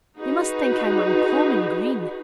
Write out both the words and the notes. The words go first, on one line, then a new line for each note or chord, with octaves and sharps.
"They must think I'm uncommon green."
D#4 F#4 G#4 B4